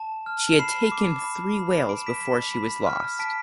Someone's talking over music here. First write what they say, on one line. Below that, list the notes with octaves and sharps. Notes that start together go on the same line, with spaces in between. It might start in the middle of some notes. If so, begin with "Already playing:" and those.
She had taken three whales before she was lost.
Already playing: A5 E7
F6
B5 C7 E7
D6
B5
B5
B5 D7
E7
B6 D7
B5
B5
F6
A5 B6 D7